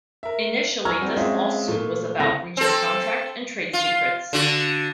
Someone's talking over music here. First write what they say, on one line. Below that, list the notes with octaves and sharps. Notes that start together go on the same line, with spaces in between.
Initially this lawsuit was about breach of contract and trade secrets.
A#4 E5
G#5 A#5 C#6 E6 F6 G#6
F#3 G3 C4
G#3 C4 C#4 F4 D#5 E5
A#2 A3
C#2 C4 E4 A4 B5 A#6
C4 A4
F4
D3 F#4